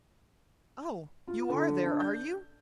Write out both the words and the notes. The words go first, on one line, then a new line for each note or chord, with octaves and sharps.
Oh! you are there, are you?
F4
D3
D4
G6